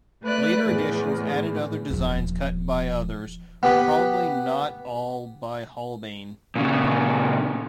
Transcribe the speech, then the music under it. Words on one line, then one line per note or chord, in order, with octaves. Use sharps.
Later editions added other designs cut by others, probably not all by Holbein.
A3 B4 D5 F#6
E2 A2
D#1 F3
B3 G4 B4
A#2 C#3